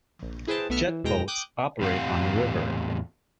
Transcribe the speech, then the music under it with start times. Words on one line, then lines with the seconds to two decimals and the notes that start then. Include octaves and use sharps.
Jetboats operate on the river.
0.23 A#1
0.47 E4 G#4 B4 C5 G5 A5
0.69 B1 A3 B3 E5 F6 C#7
0.87 E3
1.04 E2 B2 G#3 G5 A#5 A#6
1.28 G5 D6 D#6 F#6 G6
1.81 E2 A2 C4 G4 F5 F#5